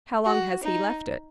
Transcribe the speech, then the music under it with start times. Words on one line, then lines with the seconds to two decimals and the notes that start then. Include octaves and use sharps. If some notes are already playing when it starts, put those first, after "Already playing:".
"How long has he left it?"
0.24 F#4
0.63 D#4